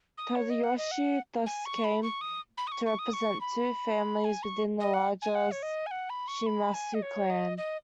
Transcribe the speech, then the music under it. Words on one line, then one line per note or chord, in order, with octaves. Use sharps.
Tadayoshi thus came to represent two families within the larger Shimazu clan.
D#6
C#5
D#5
F#5
D#5
F#5
G#5
C#6
B5
C#6
D#6
B5
D#6
C#6
C#6
D#6
C#6
B5
G#5
C#6
D#5
F#5
G#5
F#5
C#5
D#5
G#5
F#5
B5
C#6
B5
G#5
D#5
C#5
D#5
D#5